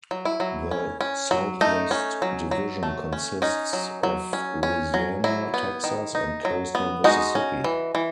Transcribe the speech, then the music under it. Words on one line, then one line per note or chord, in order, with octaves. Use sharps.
The Southwest Division consists of Louisiana, Texas, and coastal Mississippi.
F#3
E4
F#3
C#4
C#4
F#3
A3 D#4
C#4
F#3
F#3
A3
C#4
C#4 D#4
F#3
F#3
C#4
C#4
F#3
F#3 E4
B3
D#3
D#4
F#3
B3
G#3 D#4 F#4
C#4
E3
E3